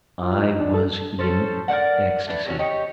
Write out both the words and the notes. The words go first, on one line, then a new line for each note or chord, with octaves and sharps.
I was in ecstacy.
F4
D#4
D4
A4
C#4 A4 C5
A#4 C5 D5 F#5
A3 D4 B4
C3 F#3 C#4 F#4
D#4 G4 C#5